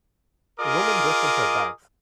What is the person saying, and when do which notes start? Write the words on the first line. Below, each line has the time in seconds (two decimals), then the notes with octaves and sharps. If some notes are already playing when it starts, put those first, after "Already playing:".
A woman resting her bags.
0.60 F4 G#4 A#4 D#5 D6 D#6